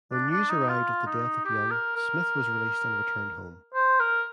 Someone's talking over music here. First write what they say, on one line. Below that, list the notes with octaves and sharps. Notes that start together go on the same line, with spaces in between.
When news arrived of the death of Young, Smith was released and returned home.
D4
D4
D#4
F4
D#4
G4
A#4
A#4
C5
A#4